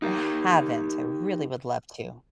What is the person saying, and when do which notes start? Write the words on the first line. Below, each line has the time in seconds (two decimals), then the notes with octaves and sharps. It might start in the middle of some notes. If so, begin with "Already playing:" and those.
I haven't. I really would love to.
0.02 D#4 G4 A#4